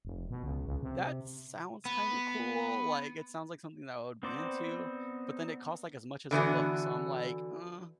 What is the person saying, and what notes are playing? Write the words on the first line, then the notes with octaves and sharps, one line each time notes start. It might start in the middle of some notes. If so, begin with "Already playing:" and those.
"That sounds kinda cool, like, it sounds like something that I would be into." But then it costs, like, as much as a book, so I'm like, "Uh,
F1
B2
C#2
C#2
C3
B3
B3 C4 D#4 C5 D5
D3 E3 B3 F#4